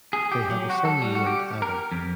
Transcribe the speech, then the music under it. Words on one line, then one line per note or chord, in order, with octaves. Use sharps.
They have a son named Adam.
G#4
G4
F#3
F#4
A4
G3
F#4
G4
A#4
F2